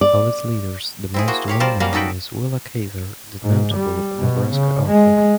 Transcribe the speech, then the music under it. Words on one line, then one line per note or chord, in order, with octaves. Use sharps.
Of its leaders the most well known is Willa Cather the notable Nebraska author.
D5
C4 E4 G#4
A#3 F#4 C5
G4 C#5 F5
G3 C4 F4 A#4 C5 A5
G3 A#3 C#4 F#4 F5
D#4 F#4 A4 B4 G5
G#2
G3
B2
C#3
G#3